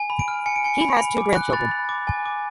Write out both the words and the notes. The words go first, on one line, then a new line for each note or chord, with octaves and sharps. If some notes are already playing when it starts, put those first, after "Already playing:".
He has two grandchildren.
Already playing: G#5
B5
D7
F6
G#5 C#7
D7
G#5 C#7
B5
B5
D6
F#6
B5 A6
B5
D6
G#5
D6